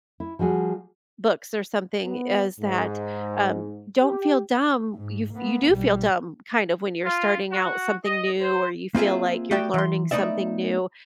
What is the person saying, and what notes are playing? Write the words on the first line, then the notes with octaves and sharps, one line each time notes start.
books or something, is that, um, don't feel dumb, you f you do feel dumb kind of when you're starting out something new, or you feel like you're learning something new,
E4
F3 G3 F#4 G#4
B3
G#2
G4
G#2
A#3 B3
B1 G3
F4
F#4
D#5
C5
A#3 C4 F4 G#4 E5
A3 B3 F#4 G4 D5 G5
E3 C6
A3 B3 D4 D#4 D5 E5